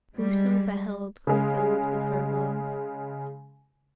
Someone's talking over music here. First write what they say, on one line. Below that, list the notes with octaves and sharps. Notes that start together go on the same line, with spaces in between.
Whoso beheld was filled with her love.
G3 G#3
C#3 G#3